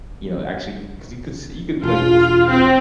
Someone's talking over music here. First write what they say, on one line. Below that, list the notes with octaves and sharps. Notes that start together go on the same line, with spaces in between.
you know, actually 'cause you could s you could, like, s
E1 F4
C4